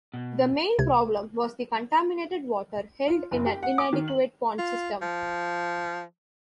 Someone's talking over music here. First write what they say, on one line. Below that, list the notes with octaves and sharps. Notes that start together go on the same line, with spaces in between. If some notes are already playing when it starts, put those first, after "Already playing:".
The main problem was the contaminated water held in an inadequate pond system.
B2
C#2 C3 G#6
F4
F#1
G4
F#5
D6
D#3
F#7
F4
F3